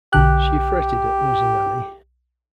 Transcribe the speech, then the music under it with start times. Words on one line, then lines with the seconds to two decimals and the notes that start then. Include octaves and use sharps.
She fretted at losing Annie.
0.13 B1 D3 G4 F#6